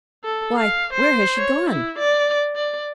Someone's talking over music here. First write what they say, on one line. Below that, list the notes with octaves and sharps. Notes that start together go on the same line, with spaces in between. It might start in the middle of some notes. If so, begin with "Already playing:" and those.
"Why, where has she gone?"
A4
F5
C5
C#5
E4
D5
D5